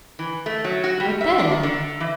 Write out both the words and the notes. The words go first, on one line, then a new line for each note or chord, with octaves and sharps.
"What then?"
E3
A3
F#3
F#4
G3
E5
D4
D#3
D3
E3